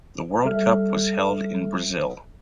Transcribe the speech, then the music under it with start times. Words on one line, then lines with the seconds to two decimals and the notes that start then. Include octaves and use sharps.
The world cup was held in Brazil.
0.45 G3 A4 E5 F6